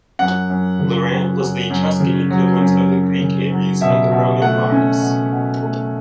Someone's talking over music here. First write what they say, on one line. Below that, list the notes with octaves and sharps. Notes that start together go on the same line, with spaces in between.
Laran was the Etruscan equivalent of the Greek Ares and the Roman Mars.
F#2 F#5
F#2
C#3
F#3
F#2
F#2
C#3
F#3
F#2
F#2
C#3
F#3
B2 E5
B2
A3 F#5
C#4
B2
B2
A3